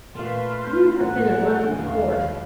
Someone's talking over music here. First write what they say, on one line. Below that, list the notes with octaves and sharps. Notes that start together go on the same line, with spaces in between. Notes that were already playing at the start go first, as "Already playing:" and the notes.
You have been in London, of course.'
A#2 A3 F4 B4 C6 F6
G6
A2 F#5 A#5 F#6
E5 G#5
E1 D#2 D3 E3 E4 F5